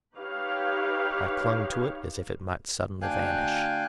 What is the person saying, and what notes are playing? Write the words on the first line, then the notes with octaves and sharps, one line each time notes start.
I clung to it as if it might suddenly vanish.
D#4 G4 B4 C#5 F5
D2 D4 F5 G5 G#5 F#6